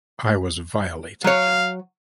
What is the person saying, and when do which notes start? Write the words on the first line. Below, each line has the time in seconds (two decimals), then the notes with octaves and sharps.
I was violated.
1.24 F#3 C#5 F5